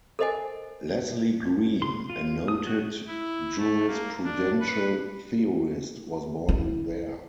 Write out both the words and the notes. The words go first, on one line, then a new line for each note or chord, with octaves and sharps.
Leslie Green, a noted jurisprudential theorist was born there.
A4 A#4 C5 D#5 F#5 G#5
C6
F4
D#6
F#4
E4
A3
A#3
D4
B4
E4